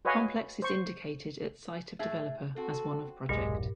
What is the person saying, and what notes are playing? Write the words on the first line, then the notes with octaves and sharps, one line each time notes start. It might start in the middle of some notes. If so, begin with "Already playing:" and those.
Complex is indicated at site of developer as one of project.
F#4 B4 C#5 D#5 F5 G#5
C5 C#6
A2 G#4 E5
C4 F#4 A4
E1 B1 G2 A#2 G#3